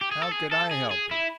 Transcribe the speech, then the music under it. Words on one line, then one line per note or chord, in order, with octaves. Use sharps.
How could I help it?
G4
G#4
A4
G#4
A4
G#4
G#4
E4